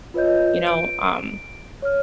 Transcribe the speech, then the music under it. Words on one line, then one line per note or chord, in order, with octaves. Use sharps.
you know, um,
F4 B4 C#5 D#5 G6
D7
C#5 F6